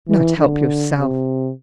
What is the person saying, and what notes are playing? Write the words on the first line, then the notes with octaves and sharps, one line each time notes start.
"Not help yourself!"
E3
D3
C3